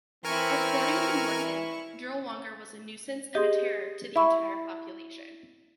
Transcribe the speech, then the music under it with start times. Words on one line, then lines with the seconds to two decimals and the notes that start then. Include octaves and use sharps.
According to Morgen, Dirlewanger was a nuisance and a terror to the entire population.
0.25 E3 C4 E4 A#4 G#5 C#6 F6
3.35 G4 G#4 D#5 C6
4.16 E4 E5 C#6